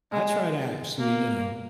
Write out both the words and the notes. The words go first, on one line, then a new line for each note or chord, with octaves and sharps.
I try to actually, you know,
G#3
A#3